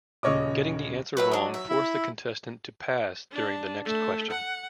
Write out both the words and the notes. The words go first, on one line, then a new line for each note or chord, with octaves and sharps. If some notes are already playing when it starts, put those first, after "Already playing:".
Getting the answer wrong forced the contestant to pass during the next question.
D#1 C#3 C#5 D#5 D6
F#3 B4 E5 F#5
D4 D#5
E5
E4
D4
A3
F#5